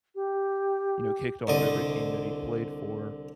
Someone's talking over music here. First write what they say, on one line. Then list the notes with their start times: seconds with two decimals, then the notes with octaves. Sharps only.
you know, kicked off every team that he played for
0.15 G4
1.47 C2 D3 D#5